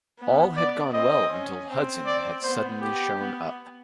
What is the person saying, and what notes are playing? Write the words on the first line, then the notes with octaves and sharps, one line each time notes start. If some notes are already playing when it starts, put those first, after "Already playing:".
All had gone well until Hudson had suddenly shown up.
B3
B3 D5
C4 D#5
C#4
C4
D5
B3 C5
G4
B3